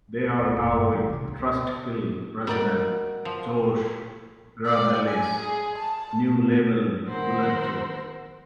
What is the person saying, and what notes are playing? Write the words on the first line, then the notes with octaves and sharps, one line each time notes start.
They are now with Trustkill president Josh Grabelle's new label Bullet Tooth.
C2
A#2
F1
G2
E3
C3
C#2
G3 F#4 A#4 D5 D#5
F3
D5
G#5
G#4
A5
D#3 B3 A#4 C5 F#5 E6